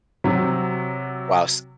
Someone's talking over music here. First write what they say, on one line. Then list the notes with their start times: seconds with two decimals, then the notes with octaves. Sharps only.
Wow, s
0.24 C3 F#3